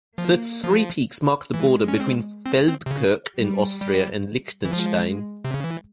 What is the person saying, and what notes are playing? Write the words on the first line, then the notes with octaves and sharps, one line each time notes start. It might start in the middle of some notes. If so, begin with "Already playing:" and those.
The three peaks mark the border between Feldkirch in Austria and Liechtenstein.
F3 A#3
F3
E3 G#3
C#4
C4
C4
C4
C3
C#3
G3
G3
E3
F3 G#3
C3
C#3
E3